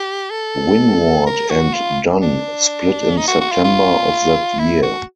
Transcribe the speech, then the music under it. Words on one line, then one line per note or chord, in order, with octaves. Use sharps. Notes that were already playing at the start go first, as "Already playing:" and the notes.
Winward and Dunn split in September of that year.
Already playing: G4
A4
A#4
F#4
F4
D4
D#4
F#4
F#4
F4
F4
E4
F#4